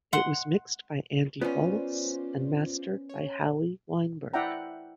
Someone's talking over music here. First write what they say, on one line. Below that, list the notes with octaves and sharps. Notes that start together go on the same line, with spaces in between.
It was mixed by Andy Wallace and mastered by Howie Weinberg.
F#5 C6
B3 C#4 F4 C5 D5
C#5
E4 D5 E5 F#5 G5 A#5